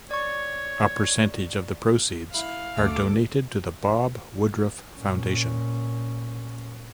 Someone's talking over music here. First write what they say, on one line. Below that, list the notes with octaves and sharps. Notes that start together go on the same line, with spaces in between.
A percentage of the proceeds are donated to the Bob Woodruff Foundation.
C#5 D5 C#6
E4 E5 F5
D2 A3 A4 D6
A#2 C#4